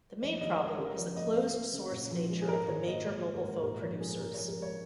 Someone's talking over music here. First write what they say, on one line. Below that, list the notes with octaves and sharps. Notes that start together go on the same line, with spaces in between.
The main problem is the closed-source nature of the major mobile phone producers.
F2 D#5
D#3 D#5
G#3 C#5
C#3 A#4
F3 C#5
A#3 D#5
A#3 F5
A#3
C#3
A#2
F3
G#3
G#4
G#2 A#4
D#3 C#5
A#3 D#5
G#3 C#5
G#3
A#4
G#2
A#2 A#4
F3 C#5
G#3 G#4
C#3 A#4
F3 C#5
A#4
G#3 C#5